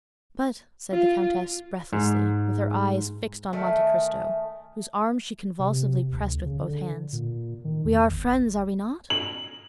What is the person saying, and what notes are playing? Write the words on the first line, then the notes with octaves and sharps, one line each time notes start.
"But," said the countess, breathlessly, with her eyes fixed on Monte Cristo, whose arm she convulsively pressed with both hands, "we are friends, are we not?"
F4
G#2
D#3 A3 E5 G#5
C3
D2
C#3
D3
A#2
D#3
E2
G1
F#7